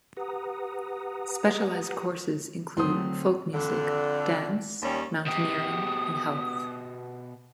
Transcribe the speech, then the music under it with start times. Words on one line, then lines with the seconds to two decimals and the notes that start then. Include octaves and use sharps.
Specialized courses include folk music, dance, mountaineering and health.
0.17 G4 B4 F#5 A#5 D#6
2.77 D3 F#3 A3 C4 C5 C6 D#6
3.54 F2 D3
4.82 D#2 G3 C#4
5.27 B2 G4 D#6